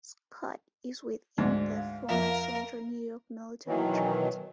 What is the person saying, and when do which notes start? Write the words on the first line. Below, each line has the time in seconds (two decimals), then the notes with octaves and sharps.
Scott is within the former Central New York Military Tract.
1.38 D2 G#2 D5
1.76 F5
2.09 F2 A#4 E5
3.67 B2 D#3 E3 F#3